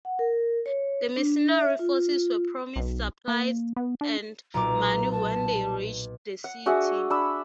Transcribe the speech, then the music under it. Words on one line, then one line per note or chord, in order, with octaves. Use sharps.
The mercenary forces were promised supplies and money when they reached the city.
F#5
A#4
C#5
D4
E5
F4
B1
A#3
B3
D4
B1 A#2 A#5 D6
A5
F#5
D4 F#4 G#4 E5
D4 B5 E6